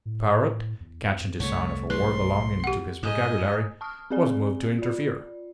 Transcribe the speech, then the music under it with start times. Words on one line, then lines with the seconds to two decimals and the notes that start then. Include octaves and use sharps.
The parrot, catching the sound of a word belonging to his vocabulary, was moved to interfere.
0.05 A2
0.80 E2
1.40 C2 A3 C#5
1.90 B1 A3 B4 C6
2.64 G4 F#5
3.03 G#2 D#5 G#5
3.81 A5 C#6 D#6 F6
4.10 C4 G4 G#4 D5 G#5 G7
4.79 F4 D5